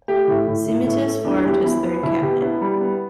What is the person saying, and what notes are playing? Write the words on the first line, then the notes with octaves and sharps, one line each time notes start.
Simitis formed his third cabinet.
A3 G4
A2
A2
A2
A2
A3
E2 D4
E2 G4
E2 E4
B3
B2 E4
B2 G4
B3 E4
G3
B3